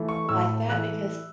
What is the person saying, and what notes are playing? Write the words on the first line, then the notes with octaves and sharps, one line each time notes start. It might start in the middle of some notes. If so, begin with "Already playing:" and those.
like that? Because
Already playing: E3 A3
C#6
A2 E6
E3 A3 F#6